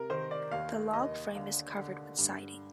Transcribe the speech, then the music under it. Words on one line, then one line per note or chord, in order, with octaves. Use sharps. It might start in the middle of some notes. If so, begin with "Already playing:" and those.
The log frame is covered with siding.
Already playing: C3 A#4
D#3 C5
D5
D#2 F5
D#2 D#5
D3 F5
D3
G2